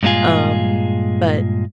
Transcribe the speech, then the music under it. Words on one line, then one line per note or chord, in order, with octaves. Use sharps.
Um, but
G2 A#2 G#3 C#4 F4 G#4